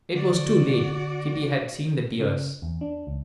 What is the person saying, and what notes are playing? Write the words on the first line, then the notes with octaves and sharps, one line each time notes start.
It was too late; Kitty had seen the tears.
D3 F#4 D5
C#3
E2
D4
C#2